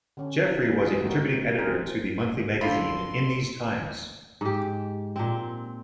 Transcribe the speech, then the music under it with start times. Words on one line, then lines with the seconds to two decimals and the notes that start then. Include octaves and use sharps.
Jeffrey was a contributing editor to the monthly magazine "In These Times".
0.17 D3 C#4
0.63 A#3 E4
0.82 E3 G#3 B3 G#4
1.03 A3 C4 D#4 E4 F#4 A#4
1.57 G#3 A#3 C4 G#4 A#4 C5
2.61 D3 F4 A4 B5 C6
4.41 G#2 G4
5.16 A#2 C4